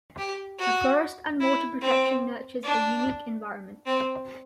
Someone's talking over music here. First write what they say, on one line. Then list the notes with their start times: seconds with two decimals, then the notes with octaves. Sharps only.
The forest and water protection nurtures a unique environment.
0.18 G4
0.59 F#4
1.41 E4
1.81 C4
2.64 D4
3.86 C4